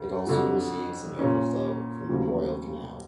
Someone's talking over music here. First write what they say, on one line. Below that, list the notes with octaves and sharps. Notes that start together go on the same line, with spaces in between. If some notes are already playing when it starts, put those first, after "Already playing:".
It also receives an overflow from the Royal Canal.
Already playing: D2
F2 D3 F#3
A#2 F3 A#3 C#4
D#2 C#3 F#3 A3 C4